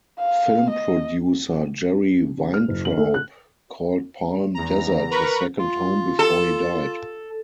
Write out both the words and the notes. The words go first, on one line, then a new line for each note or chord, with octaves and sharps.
Film producer Jerry Weintraub called Palm Desert his second home before he died.
F5
D#5
C#3
F6
F#1
F#7
A3
F#6
E2 A#5
A#4 B4 A#5 B5 C#6
F4
A4